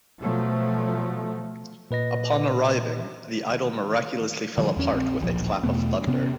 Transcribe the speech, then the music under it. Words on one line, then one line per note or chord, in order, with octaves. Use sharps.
Upon arriving, the idol miraculously fell apart with a clap of thunder.
B2 F3 F#3 A3
A#2 B4 D#5 A#6
D3 F3 G3
E2 C#4
A#1 C4
D1 A#1 F3
E2 B2 A3 B3
C3 B3 C#4